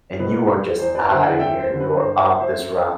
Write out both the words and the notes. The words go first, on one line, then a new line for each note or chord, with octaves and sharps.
and you are just outta here. You are off this rock.
B2 B4
G3
E2 C5
B4 D5
D3 F#3 C5 E5
D5 F#5
F#2 E5 G5
C5
D3 G3
B4
G2 C5
C5 E5
F#3 F#5
C5 E5
F#2